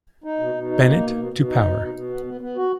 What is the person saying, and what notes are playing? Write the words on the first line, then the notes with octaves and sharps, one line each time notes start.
Bennett to power.
D#4
B2
B2
D#4
A#3
B2
B2
B2
D#4
B2
B2
B2
B3
B3
B3
F#4